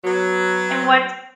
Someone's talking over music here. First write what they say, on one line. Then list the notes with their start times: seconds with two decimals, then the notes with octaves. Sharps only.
And what's
0.04 F#3 B3